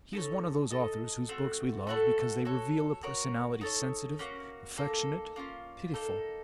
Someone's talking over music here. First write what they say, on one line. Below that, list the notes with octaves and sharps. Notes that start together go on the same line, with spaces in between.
He is one of those authors whose books we love because they reveal a personality sensitive, affectionate, pitiful.
D#4 A4 C#5
D#4 A4 D#5
A3 C4 F#4
A3 C#4 F#4 A4
F#4 A4 C#5
F#4 A#4 C#5
D#4 A4 C#5
A#3 C#4 F#4
A#3 D#4 A4
A#3 C#4 F4
A#3 D#4 A4